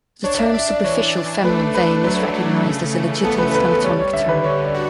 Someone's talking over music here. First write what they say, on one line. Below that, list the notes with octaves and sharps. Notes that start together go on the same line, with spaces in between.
The term "superficial femoral vein" is recognized as a legitimate anatomic term.
D4 C#5
E5
D4 E5
D5
E3 C#5
D4
A3 B4
A3 B4
F#3 B4
A3
C#3
E3
B3 A4
B4
A4
E3 B4
A4
G3 C#5
C#5
D3 E5
B4
D3 C#5
D5
F#4